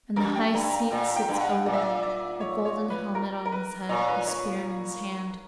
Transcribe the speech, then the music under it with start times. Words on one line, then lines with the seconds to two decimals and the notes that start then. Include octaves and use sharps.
In the high seat sits Odin, a golden helmet on his head, a spear in his hand.
0.16 F#2 A#4
0.35 G5
0.54 G2 A#5
0.72 A#5
0.91 A#2 G5
1.16 G5
1.29 G2
1.41 F#5
1.66 A#2 D5
1.73 E5
1.82 D5
2.03 D5
2.40 C#5
2.65 C#5
2.90 B4
3.15 A#4
3.45 A#4
3.52 B4
3.89 A#2 C#5
4.08 B4
4.27 C#5